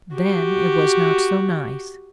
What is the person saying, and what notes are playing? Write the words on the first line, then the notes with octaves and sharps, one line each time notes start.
Then it was not so nice!
F#4 G4